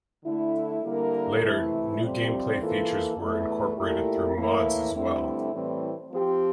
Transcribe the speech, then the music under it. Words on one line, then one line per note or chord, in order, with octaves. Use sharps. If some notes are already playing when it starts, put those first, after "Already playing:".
Later, new game play features were incorporated through mods as well.
D3 A3 E4
D3 G3 A#3 E4 A#4
C3 E3 A3 E4
F2 C3 G3 C4
E3 A#3 F4 A4
E2 E3 A3
A#2 A3 E4 G4 A#4
A2 E3 A#3 E4 A#4
G2 D3 A3 C4 E4
A2 E3 G3 C4
F3 C4 G4